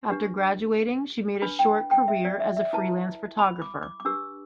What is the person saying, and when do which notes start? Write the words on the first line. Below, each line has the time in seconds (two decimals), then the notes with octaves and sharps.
After graduating, she made a short career as a freelance photographer.
0.10 D4 G4 B4
1.42 D4 B4 B5
1.59 G5
1.91 G5
2.08 E5
2.25 D5
2.40 E5
2.57 E5
2.73 E4 B4 A5
3.39 B5
3.62 D6
3.83 D6
4.00 D6
4.05 D4 G4 B4 E6